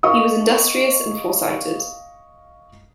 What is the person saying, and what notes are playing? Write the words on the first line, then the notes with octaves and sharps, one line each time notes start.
He was industrious and foresighted.
D#5 F5 C#6 D#6